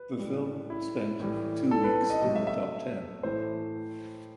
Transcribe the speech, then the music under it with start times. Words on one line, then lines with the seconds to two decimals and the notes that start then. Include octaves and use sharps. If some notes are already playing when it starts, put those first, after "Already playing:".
The film spent two weeks in the top ten.
Already playing: B4
0.18 A2 G3
0.70 E4
1.20 A2 E3 G3
1.71 A4
1.84 B4
2.10 D#5
2.22 C3 F#3 A3 D#5
2.35 E5
2.47 E5
3.23 A2 E3 A3 C5